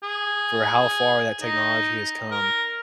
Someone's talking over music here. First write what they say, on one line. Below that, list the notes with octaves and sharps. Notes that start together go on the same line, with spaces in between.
for how far that technology has come,
G#4
D#4
A#4